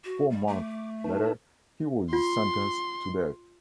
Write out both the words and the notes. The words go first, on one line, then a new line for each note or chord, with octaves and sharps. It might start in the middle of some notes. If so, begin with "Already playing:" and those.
Four months later he was sentenced to death.
F#4
G3
A3 D6
D#4 B4 A5
F4 C6